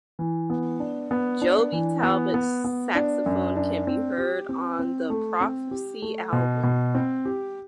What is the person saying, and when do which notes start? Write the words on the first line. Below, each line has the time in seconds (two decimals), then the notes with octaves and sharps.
Joby Talbot;s saxophone can be heard on The Prophecy album.
0.19 E3
0.50 B3
0.80 D4
1.11 B3
1.42 D4
1.72 E3
2.03 B3
2.34 B3
2.64 B3
2.95 D4
3.26 F#2
3.57 D4
3.87 C4
4.18 G4
4.49 C4
4.79 C4
5.10 A3
5.41 C4
5.71 G4
6.02 A3
6.33 B2
6.63 B2
6.95 C4
7.25 G4